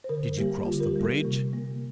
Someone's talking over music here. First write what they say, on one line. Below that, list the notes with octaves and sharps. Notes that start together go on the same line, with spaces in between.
"Did you cross the bridge?"
C5
D3 A#4
G3 A#3 G4
D3 F4
A#4
G4
G3 A#3
A#4
C3
A#3